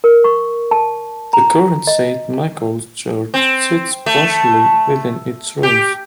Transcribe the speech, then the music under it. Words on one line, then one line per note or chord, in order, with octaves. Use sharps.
The current Saint Michael's church sits partially within its ruins.
A#4
C#6
A5
A#5
D#5
C4
A3
G4